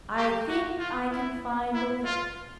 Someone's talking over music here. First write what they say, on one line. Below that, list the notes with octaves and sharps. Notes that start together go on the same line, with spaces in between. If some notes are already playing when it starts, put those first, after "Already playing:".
"I think I can find a way."
G4
F#4
F4
E4
E4
F4